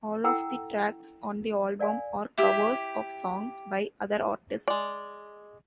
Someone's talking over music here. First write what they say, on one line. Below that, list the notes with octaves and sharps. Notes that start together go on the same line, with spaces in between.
All of the tracks on the album are covers of songs by other artists.
E4 A4 F#5 G5 A#5 E6
A#4 D5 F5 G#5
E4 G4
G#3 D5